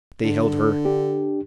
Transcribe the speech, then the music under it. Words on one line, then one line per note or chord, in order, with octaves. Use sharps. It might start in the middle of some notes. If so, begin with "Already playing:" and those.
They held her.
D3
D4 G4